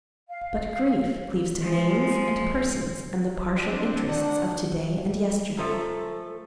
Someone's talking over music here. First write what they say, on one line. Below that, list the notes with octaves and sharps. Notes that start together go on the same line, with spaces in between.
But grief cleaves to names, and persons, and the partial interests of to-day and yesterday.
F5
F3 G#3
C4 D4
D#3 D4 F#5
F#2 F3 A3 A4